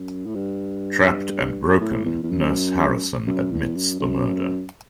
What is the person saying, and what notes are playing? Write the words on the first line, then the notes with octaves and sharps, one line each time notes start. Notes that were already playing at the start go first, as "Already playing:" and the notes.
Trapped and broken, Nurse Harrison admits the murder.
Already playing: F#2
A2
G2
A2
E2
E2
F#2
F#2
E2
F#2
F#2